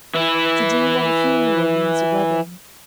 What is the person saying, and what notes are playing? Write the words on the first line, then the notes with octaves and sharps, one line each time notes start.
To dream of a funeral means a wedding.
E3 E4